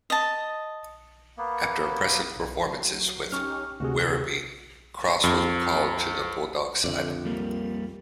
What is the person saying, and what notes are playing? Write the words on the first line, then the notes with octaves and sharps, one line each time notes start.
After impressive performances with Werribee, Cross was recalled to the Bulldogs side.
D#5 A5
A#3 B3
B1
F#3 C7
C#4 D#4 G4 C#6 F6
D2 C3 F#4 G#4
F2
F2 D3 D5
G3 A#3